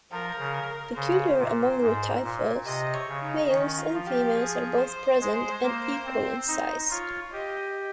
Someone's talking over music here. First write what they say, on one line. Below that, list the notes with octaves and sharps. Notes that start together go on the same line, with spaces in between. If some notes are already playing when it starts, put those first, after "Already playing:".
Peculiar among rotifers, males and females are both present and equal in size.
F3 A#4
C#3
C#3 C5
A#2
G#2
A#2
C3 D#5
C#5
C#3
D#4
D#3 C#4
F4
F3
G4
G#4
C5
G#3
A#3
C4
D#4
F4 C#5
G4 D#5